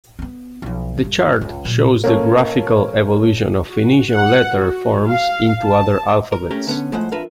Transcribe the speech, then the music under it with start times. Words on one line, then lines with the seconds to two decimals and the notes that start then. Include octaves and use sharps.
The chart shows the "graphical" evolution of Phoenician letter forms into other alphabets.
0.19 B3 C4
0.62 B1 F3
1.03 G1 G2
1.41 C#2
1.65 A#2 F#3
2.04 A#3 C#4 A4
3.69 F#4
4.11 F#5
4.58 F#4
5.09 F5
5.64 A5
6.32 A#4
6.51 A3 C#4 G4 A#4
6.67 D3 B3 C#4
6.92 A2 F3 G#3 A3 C5 F#5
7.12 F2 D4 F4 A#4 B4 E5